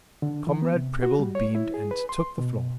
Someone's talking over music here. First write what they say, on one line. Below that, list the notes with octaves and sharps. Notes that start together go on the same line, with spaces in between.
Comrade Prebble beamed, and took the floor.
D3
E3
B3
C3
F#4
G3
C#5
E4
G#4
B4
C6
B2